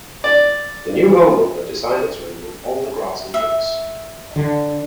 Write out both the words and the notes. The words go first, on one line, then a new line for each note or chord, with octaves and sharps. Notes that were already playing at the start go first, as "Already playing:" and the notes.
The new homeowner decided to remove all the grass and trees.
D5
E5
D3